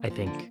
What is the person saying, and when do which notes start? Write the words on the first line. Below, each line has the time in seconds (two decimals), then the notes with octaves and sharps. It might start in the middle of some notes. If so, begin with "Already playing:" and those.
I think
Already playing: A#3
0.10 F3
0.26 D3